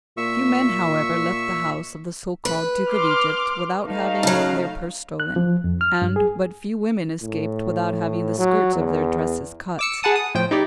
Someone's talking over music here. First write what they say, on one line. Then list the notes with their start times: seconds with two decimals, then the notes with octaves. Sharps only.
Few men, however, left the house of the so-called Duke of Egypt without having their purses stolen, and but few women escaped without having the skirts of their dresses cut.
0.17 A#2 E5 C#6 E6
2.45 B4
2.89 C6 D6 F6
3.84 A3 D#4 F5
4.23 C#3 F#3
5.20 F#6
5.36 F3
5.64 F2
5.81 F6
6.02 G2
6.16 G#4
7.22 A2
8.38 F#3
8.75 E2
9.79 D6 E6 C#7
10.03 G#4 B4 F#5 A5 D#6
10.16 D#6
10.35 A2 F3 C5 G5
10.51 D#4 E4 G4 D5